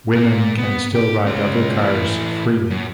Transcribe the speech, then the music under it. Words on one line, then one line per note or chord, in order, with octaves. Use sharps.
Women can still ride other cars freely.
A#2
B3
G4
G#3 C#4
A2 E3
F#2